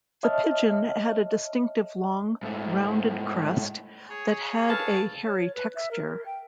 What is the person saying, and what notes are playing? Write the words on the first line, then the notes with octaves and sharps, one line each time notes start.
The pigeon had a distinctive long, rounded crest that had a hairy texture.
C#5 D#5 E5 A5 F6
G#2 A3
G#4 C#5
A4 B4 F5 A5
C#5
B4
E5
A#4
G5